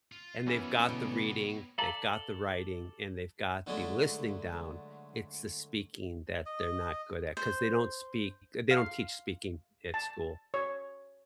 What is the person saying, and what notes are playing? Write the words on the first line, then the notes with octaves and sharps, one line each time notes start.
and they've got the reading, they've got the writing, and they've got the listening down- it's the speaking that they're not good at, 'cause they don't speak uh, they don't teach speaking at school.
F4
F#2 E3 F3 B3 C#4
D2 B2 C#5 G5
A4 D5 F5 A5 A#5
D3 F#3 G#3 A3 D4
D#5
C5
F5
A5
C#5